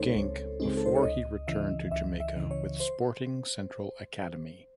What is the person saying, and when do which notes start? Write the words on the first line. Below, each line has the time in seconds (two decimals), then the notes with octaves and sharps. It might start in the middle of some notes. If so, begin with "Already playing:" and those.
Genk before he returned to Jamaica with Sporting Central Academy.
Already playing: C#2 C#3 G#3 C4 D#4 A4 C5 C#5
0.15 C#2
0.60 C#3 G#3 C4 D#4
0.77 A4
0.86 C5
0.95 C#5
1.03 C#2 D#5
1.48 C#3 E3 E5
1.91 C#2 E5
2.20 E5
2.36 C#3 E3
2.51 C#5
2.80 C5